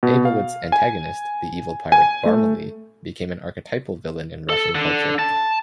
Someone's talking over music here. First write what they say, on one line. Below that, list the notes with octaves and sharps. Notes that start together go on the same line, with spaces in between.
Aybolit's antagonist, the evil pirate Barmaley, became an archetypal villain in Russian culture.
B2
F5
G#5
G#5
A3
A4
D3
A5